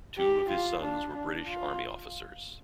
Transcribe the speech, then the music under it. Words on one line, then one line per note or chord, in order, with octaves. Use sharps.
Two of his sons were British Army officers.
G4
F4
D4
D4
F4